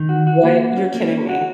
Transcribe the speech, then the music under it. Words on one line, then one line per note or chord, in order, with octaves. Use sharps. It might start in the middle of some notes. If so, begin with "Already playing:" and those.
What? You're kidding me.
Already playing: D#3
F#4
F#4
A#3
F#4
C#4
A#3
C#4
F#4